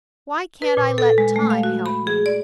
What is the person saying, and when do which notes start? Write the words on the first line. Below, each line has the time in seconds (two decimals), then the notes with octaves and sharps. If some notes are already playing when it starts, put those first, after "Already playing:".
Why can't I let Time help me?
0.62 B4
0.77 A#2
0.98 A4
1.18 G#3
1.36 A3
1.50 F5
1.63 F#4
1.86 B5
2.07 G#4
2.26 D5